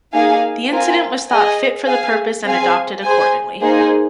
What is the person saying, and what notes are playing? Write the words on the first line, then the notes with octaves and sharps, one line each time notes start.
The incident was thought fit for the purpose and adopted accordingly.
A#3 D#4 G#4 F5 G#5
C4 F4 A#4 G#5
G#4 D#5 G#5
G#4 F5 G#5
C4 G#4 F5 G#5
G#4 C5 G#5
A#3 D#4 G#4 C5